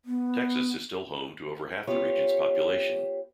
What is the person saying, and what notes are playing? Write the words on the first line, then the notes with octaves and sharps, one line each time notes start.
Texas is still home to over half the region's population.
B3
B3 C#4 F4 G4 C#5